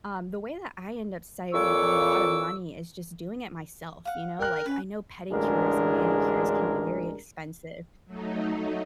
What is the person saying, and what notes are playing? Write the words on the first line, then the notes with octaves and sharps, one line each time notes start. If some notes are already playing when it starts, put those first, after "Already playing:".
um, the way that I end up saving a lotta money is just doing it myself, you know, like, I know pedicures and manicures can be very expensive,
F2 A#2 C#5 C#6 D6 E6
F5 F#5
A#4 G5 F#6
C#4 B4
A1 D2 G#3 D4 G#4 A#4
F#3 A3 D#4